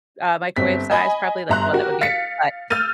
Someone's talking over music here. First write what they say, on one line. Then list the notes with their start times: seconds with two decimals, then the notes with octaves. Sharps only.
uh, microwave size, probably, like, the one that would be a cut
0.57 G1 C4 B6
0.91 D#5 G#5 B5
1.49 G1 E5 A#5 C6 F#6
1.73 F#4 G4 A#4
2.01 F5 A6 B6 C#7
2.70 E6 F6 G6 A6 D#7